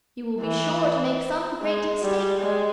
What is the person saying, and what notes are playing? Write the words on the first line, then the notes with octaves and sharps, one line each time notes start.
You will be sure to make some great mistake.
E3
G#3
G3
G#3